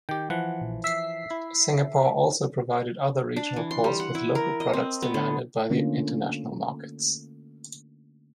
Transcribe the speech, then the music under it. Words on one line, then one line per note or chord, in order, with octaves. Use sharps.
Singapore also provided other regional ports with local products demanded by international markets.
D#3 G4 G5
E3 F3 F#5
A#1
E5 B6 C7
E4
D4
E3
C6
G3
F#5
E4
A#4
D#5
C4
B3
D3
D3 A3 A#3 C#4 F4